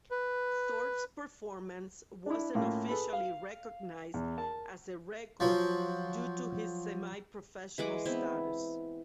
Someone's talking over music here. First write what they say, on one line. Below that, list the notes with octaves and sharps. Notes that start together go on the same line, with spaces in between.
Thorpe's performance wasn't officially recognized as a record due to his semi-professional status.
B4
D4 E4
A2 A#3 C#4 F4
G#4 A4 B4 B5
F5
E2
A#4 A5
F3 F#3
E3 G#3 F#5 D6
B3 C4 E4